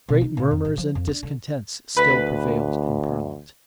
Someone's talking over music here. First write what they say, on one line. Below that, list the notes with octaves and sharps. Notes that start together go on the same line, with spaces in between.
Great murmurs and discontents still prevailed in parliament.
B2
D#4
A#2
F2
A1
F3
F2
D4
D3
D2 B4 B5